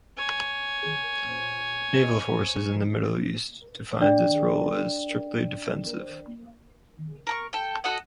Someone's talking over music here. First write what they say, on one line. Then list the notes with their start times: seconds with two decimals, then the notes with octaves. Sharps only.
Naval Forces in the Middle East defines its role as strictly defensive.
0.17 C#5 G#5
4.01 D4 D5 G5
7.27 A#4 A#5 C#6
7.53 A4 G5
7.84 F#4 A4 D#5 F#5